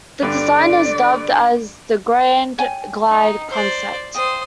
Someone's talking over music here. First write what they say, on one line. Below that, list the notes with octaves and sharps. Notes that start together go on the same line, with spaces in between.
This design is dubbed as the "Grand Glide" concept.
G2 D3 D5
C#5 G5 G#5
D#4
C5 D5
C5 F5 G5 D#6